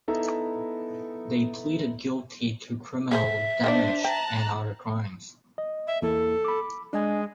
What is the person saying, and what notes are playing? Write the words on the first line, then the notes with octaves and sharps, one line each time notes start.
They pleaded guilty to criminal damage and other crimes.
B3 D#4 E4 A4 E5 A#5
G#4 B4 C5 E5
D#3 D4 F#4 C5 D5
G5 A5 A#5 F#6
D#5
E5
E2 A#3 E4 A4
B5 D6
G#3 D4 D#5 G#5